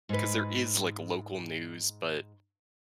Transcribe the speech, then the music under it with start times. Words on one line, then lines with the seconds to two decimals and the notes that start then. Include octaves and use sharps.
'cause there is, like, local news, but
0.09 G#2 B4